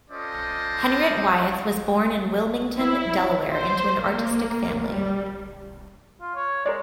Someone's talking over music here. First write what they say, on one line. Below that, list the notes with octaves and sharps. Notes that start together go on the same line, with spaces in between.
Henriette Wyeth was born in Wilmington, Delaware, into an artistic family.
C#4 F4 A4 C5 D5 D#5
E4
C5
A#3
G3
F4
C#5
G#3 A#4 C#5 D5